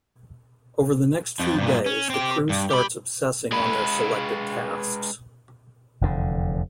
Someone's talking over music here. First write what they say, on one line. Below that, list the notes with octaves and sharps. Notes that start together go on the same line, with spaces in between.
Over the next few days the crew starts obsessing on their selected tasks.
F2 F3
G2 A#2
C#4
C4 G4
G2
G4 B5
G#3 B4
F1 E2 A2 D3